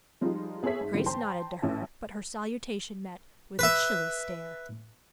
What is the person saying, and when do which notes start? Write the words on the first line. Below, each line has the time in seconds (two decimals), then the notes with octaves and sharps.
Grace nodded to her, but her salutation met with a chilly stare.
0.21 F3 G3 G#3 D#4 F4
0.63 B3 G#4 A4 C#5 E5 B6
0.81 G#2
0.93 G#2 D3 E3 F#3 G3
1.06 C5 G5 A5 A#5 C6
1.62 A1 E3 C#4 E5 A5
3.59 B4 E5